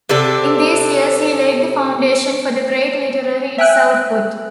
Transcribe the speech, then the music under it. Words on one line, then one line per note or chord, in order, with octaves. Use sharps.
In these years he laid the foundation for the great literary its output.
C3 D4 A4
E5 G5 G#5 F#6